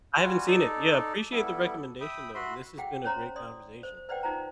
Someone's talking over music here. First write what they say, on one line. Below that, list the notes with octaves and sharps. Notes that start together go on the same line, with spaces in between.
I haven't seen it. Yeah, appreciate the recommendation, though, and this has been a great conversation.
G3 F4 F#4 G#5
D#4 A4 D5
G3 B3 E4 A4
E5 G5 B5 D#6
F#4 E5 B5 C6
F#4 G#4 F#5 G5
C#4 C5 C#5 A#5 C6
D5 C6 D#6
C5
B4 C5 D5 F#5 G5
D#4 F4 C5 A#5